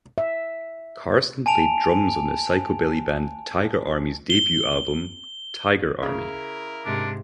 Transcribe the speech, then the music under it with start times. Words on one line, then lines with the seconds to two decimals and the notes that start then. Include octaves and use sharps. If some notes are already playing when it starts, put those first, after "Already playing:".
Carson played drums on the psychobilly band Tiger Army's debut album "Tiger Army".
0.18 E5
1.46 G#5 A5 D7 F7
4.30 G7
6.03 C#3 E4 A#4
6.85 G#2 C3 D4